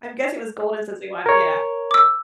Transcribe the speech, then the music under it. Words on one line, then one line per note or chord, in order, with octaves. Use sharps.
I'm guessing it was Golden since we went yeah.
A#4 C#5
D6 E6